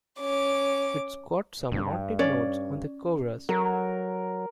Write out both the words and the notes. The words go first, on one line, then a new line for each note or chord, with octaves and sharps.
It's got some haunting notes on the chorus.
C#4 D6
G2
C#4 C#5 D5
F#3 A#4